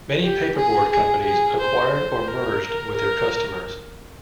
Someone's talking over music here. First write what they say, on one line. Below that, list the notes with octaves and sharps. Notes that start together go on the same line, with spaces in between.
Many paperboard companies acquired or merged with their customers.
G4
G#4
G#4
G#4
C5
C5
A#4
A#4